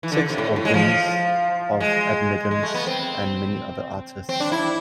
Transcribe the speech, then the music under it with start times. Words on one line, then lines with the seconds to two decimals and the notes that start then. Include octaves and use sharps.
Six Organs of Admittance and many other artists.
0.03 E3
0.12 D3
0.30 C3
0.38 A2
0.56 A2
0.65 G#3
0.74 F3
1.80 G#3
2.51 G#3
2.63 A3
2.75 B3
2.87 C4
4.29 C4
4.40 D4
4.52 E4